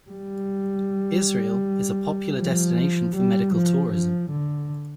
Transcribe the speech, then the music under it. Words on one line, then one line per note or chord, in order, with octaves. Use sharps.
Israel is a popular destination for medical tourism.
G3
F3
G3
F3
F3
D3